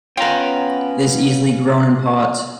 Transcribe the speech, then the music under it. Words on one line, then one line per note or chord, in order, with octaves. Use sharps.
It is easily grown in pots.
B3 C#4 F4 B4 G5 A#5